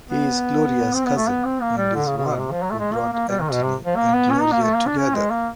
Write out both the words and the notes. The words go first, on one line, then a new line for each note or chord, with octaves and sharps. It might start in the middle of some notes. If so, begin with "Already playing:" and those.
He is Gloria's cousin and is the one who brought Anthony and Gloria together.
B3
C4
B3
A3
B3
C4
A#3
G3
D3
C#3
C#3
B2
C3
F3
F#3
A3
G#3
A#3
A#3
G3
D#3
B2
C3
F3
A#3
B3
C#4
D#4
A#3
A3
A#3
D4
C#4
G#3
A#3